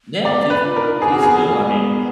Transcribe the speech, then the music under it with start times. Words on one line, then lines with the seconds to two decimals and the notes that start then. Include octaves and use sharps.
Yeah, please please do. I mean
0.24 B3 D5
0.44 D4
0.50 B4
0.57 D#4
0.63 F4
0.76 A#4
0.82 D#4
0.94 D#4
1.01 D4 G#4
1.12 F#4
1.20 B3 G#4
1.59 B3